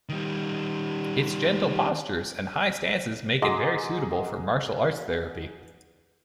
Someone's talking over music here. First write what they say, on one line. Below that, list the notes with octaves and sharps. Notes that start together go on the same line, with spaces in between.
Its gentle postures and high stances make it very suitable for martial arts therapy.
D#3 G3
F#4 G#4 D#5 A#5 C6 D6